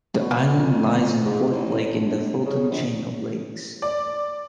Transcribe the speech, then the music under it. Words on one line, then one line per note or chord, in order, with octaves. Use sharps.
The island lies in Fourth Lake in the Fulton Chain of Lakes.
B2
F2
G#2
A1
G1
C#3
A#1
D5